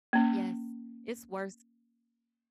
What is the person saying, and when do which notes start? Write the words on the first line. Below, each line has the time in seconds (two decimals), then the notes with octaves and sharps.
Yes. It's worse.
0.13 A#3 C#4